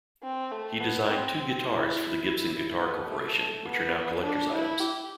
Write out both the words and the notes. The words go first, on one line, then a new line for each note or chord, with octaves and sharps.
He designed two guitars for the Gibson Guitar Corporation, which are now collectors' items.
C4
A3
B3
C4
C4
E4
B3
A3
A3
B3
D4
E4
G4